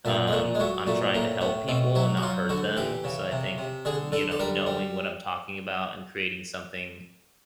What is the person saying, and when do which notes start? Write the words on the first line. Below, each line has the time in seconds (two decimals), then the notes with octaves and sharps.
um, I'm trying to help people and not hurt them, so, I think, you know, knowing what I'm talking about and creating something
0.05 A#2 A3
0.27 G#3
0.32 A#2 A3
0.55 G#3
0.60 F#3 A3
0.87 A#2 A3
1.14 A2 A#3
1.41 A2 B3
1.68 B2 C4
1.95 F#3 E4
2.17 F#4
2.23 F#3 F4
2.49 D3 F#4
2.77 E3 G4
3.04 C#3
3.31 C3
3.58 C3
3.85 D3 G#4
4.12 D3 A4
4.31 A4
4.40 G3 A#4
4.66 G3